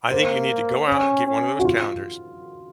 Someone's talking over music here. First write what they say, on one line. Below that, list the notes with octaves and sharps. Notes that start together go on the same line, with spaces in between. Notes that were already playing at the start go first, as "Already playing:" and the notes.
I think you need to go out and get one of those calendars,
A#3 C5
C#4
C#4
F#4
F4